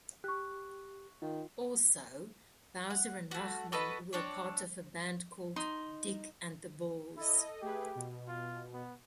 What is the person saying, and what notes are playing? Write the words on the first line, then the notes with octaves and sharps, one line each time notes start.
Also, Bowser and Rachman were part of a band called "Dick and the Balls".
G4 C#6 F#6
D#3 F4
F#5
A3 F#4
F#4 A4 B4 D#5
C4 D4 C#5
D#4 C6
E4 A4 D#5
A3 G4 G#4 B4
B2
F4
B3